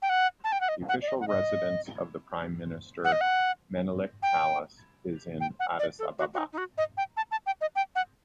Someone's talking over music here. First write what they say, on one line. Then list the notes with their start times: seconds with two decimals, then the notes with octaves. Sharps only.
The official residence of the prime minister, "Menelik Palace" is in Addis Ababa.
0.02 G5
0.09 F#5
0.44 A5
0.52 G5
0.61 F#5
0.68 D#5
0.88 F#5
1.02 D5
1.08 D#5
1.20 F#5
1.27 D#5
3.04 F#5
3.12 D#5
3.21 F#5
4.22 G5
5.40 G5
5.59 F#5
5.79 D5
5.99 A4
6.18 F#4
6.34 F#4
6.38 D#4
6.52 D#4
6.57 F#4
6.78 D#5
6.97 G5
7.17 A5
7.31 A5
7.46 G5
7.61 D#5
7.76 G5
7.95 F#5